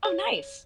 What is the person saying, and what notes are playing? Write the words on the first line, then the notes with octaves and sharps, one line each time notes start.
Oh, nice.
C#5